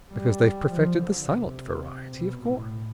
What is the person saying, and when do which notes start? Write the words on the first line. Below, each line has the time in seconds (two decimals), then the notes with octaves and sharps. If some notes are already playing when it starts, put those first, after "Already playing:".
Because they've perfected the silent variety, of course.
0.11 G3
0.69 F3
0.98 D3
1.27 C3
2.15 B2
2.45 A2